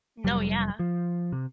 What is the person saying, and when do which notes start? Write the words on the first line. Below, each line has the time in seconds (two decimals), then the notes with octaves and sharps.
No, yeah.
0.24 F1 F#3 G3
0.79 F3
1.32 C3